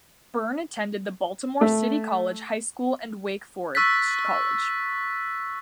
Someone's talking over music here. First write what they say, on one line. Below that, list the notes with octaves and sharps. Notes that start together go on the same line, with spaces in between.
Byrne attended the Baltimore City College high school and Wake Forest College.
A3
C#6 E6 F#6 A6 B6